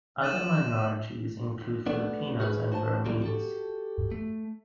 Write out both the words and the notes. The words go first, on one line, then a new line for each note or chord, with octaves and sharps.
Other minorities include Filipinos and Burmese.
D6 A6 D#7 E7 F#7
A3 B3 D4
F#4 G#4 B4
F#4 C5 G#5 A5
C#2 D3 F#3 G3 A#3
F#4 G4 A4
A3